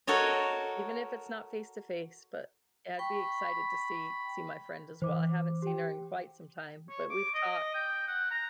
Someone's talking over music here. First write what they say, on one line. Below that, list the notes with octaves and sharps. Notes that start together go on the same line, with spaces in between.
even if it's not face-to-face, but yeah I'd be excited to see see my friend as well, I haven't seen her in quite some time, but we've talk
F#4 A4 A#4 C#5 D#5
G5 B5 C#6
E3 C5 D6
G4 G5
C#5
D6
D#5
G5
F#5
A#5